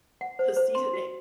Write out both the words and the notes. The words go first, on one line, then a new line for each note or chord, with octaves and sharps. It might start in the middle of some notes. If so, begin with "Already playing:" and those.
the seasoning.
F#5
C5
C5
C6
F#4